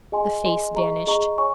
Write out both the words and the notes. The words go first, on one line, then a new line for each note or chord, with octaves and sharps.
The face vanished.
G#4 D#5 G#5 C6
G#4 D#5 G#5 C6
G#4 D#5 A#5 C#6
G#4 D#5 A#5 C#6
C#5 G#5 C#6